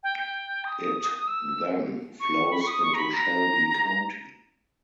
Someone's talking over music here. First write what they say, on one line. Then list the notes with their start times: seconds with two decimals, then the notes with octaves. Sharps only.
It then flows into Shelby County.
0.03 G5
0.19 G5
0.65 D#6
1.27 E6
2.20 C#6
2.51 B5
2.61 C#6
2.67 D#6
2.83 C#6
2.94 A#5
2.98 B5
3.14 A#5